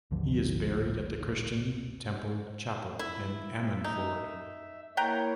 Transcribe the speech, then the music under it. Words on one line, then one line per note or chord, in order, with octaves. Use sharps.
He is buried at the Christian Temple chapel in Ammanford.
G#1 D2 D3 F3
E4 E5
D#4
A#3 E4 B4 C#5 G5 A#5